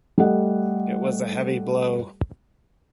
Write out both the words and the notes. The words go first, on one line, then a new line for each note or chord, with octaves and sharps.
It was a heavy blow.
G3 A3 A4 D#5 F#5